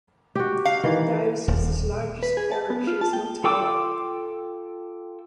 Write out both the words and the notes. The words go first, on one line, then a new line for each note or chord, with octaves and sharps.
The dioecese's largest parish is Motala.
F#4 G4
F5
D#3 E3
D#1
B4
G#4
A5
B3
F4
A5
G5
F4 A4 G5 D6 E6